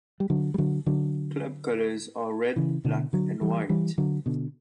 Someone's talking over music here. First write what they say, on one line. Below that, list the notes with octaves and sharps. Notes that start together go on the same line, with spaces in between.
Club colours are red, black, and white.
G3
D3 F#3
G3
D3 F#3
D3 F#3
C#3 E3
B2 D3
D3 F#3
E3 G3
E3 G3
D3 F#3
B2 D3